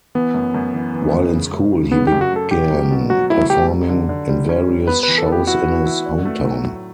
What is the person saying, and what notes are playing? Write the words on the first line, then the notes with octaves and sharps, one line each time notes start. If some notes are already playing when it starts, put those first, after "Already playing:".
While in school he began performing in various shows in his home town.
E3 B3
F#2
F#2
E3
E3
F#2
C#3
F#2
C#3
C#3 B3
F#2 G4
F#4
F#3 A4
B2 G4
F#3
B2
F#3 F#4
A3 E4
F#3 G4
G3
D3
D3
G3
C#4
G3
B3 B4
E3 B4
A4
B3 G4
E4 F#4
E3
E4
D4
A3
F#3
A2